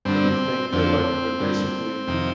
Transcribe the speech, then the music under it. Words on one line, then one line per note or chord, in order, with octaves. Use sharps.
What do you think that, like, would basically
G2 D3 C4
F2 D3 C4
G2 D3
F2 C3 D#3